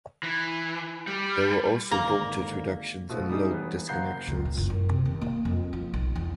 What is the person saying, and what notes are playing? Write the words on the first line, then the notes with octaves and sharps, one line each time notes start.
There were also voltage reductions and load disconnections.
E3
G3
G#1 D3 A#3 A#5
B2 A3 C4 F4
G3 D#4 G#4
E1 B3
F#1 A#3 F#5 A#5 G6 C7
C#2
A#2
F#1
F#2
C3
D#2
A#3
F2
F3
B1
E2